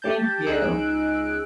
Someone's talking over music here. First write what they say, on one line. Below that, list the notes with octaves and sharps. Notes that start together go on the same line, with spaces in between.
Thank you.
G4 A5 G6
C#2 D#4 G#4 E6 F#6 D7